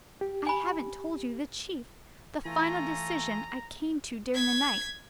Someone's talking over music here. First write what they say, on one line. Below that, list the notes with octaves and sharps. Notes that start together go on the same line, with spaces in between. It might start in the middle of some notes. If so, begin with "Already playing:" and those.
I haven't told you the chief, the final decision I came to during the night.
G4
G#5 B5
E3 A3 F4 G#5 A#5
G#6 B6